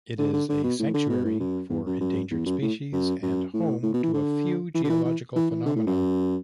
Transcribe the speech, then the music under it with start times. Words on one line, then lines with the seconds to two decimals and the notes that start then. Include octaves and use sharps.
It is a sanctuary for endangered species and home to a few geological phenomena.
0.18 D3
0.33 D3
0.49 D3
0.63 B2
0.79 A2
0.94 D3
1.09 B2
1.25 A2
1.40 F#2
1.70 E2
1.86 F#2
2.00 F#2
2.31 E2
2.46 F#2
2.62 A2
2.93 F#2
3.23 F#2
3.53 A2
3.83 A2
3.94 B2
4.03 E3
4.14 D3
4.75 E3
4.84 D3
4.90 E3
5.05 E3
5.36 E3
5.51 E3
5.66 D3
5.76 A2
5.87 F#2